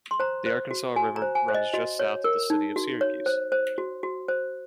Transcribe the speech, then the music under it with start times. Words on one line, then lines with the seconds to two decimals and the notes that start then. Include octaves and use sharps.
The Arkansas River runs just south of the City of Syracuse.
0.11 C6
0.20 C5 A#5
0.46 C5
0.71 F#4
0.96 F#4 G#5
1.16 A#5
1.22 C5
1.35 G#5
1.48 C5
1.55 D#5
1.74 F#4 D#5
1.99 C#5
2.24 A#4
2.50 D#4
2.76 F#4
3.01 C#5
3.26 C5
3.52 C5
3.78 F#4
4.03 F#4
4.28 C5